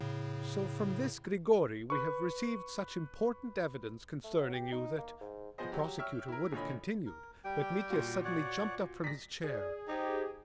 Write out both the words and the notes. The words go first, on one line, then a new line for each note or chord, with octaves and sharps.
"So from this Grigory we have received such important evidence concerning you, that--" The prosecutor would have continued, but Mitya suddenly jumped up from his chair.
A2 C#3
B4 C#6
A3
F#3
G4
D#4
A#3
G#2
F3 B3 G#4 C5 D#5
F#3 G4
C#5 E5 G5 C#6 E6 F6
E4 A#4
G#1 A#2 D3 C#5 D#5 B5
A#4
G3 G4 G5
A#2 F#4
C#5 D5 F#5
D5 A#6 B6
G#4 D5
D#4 G4 C5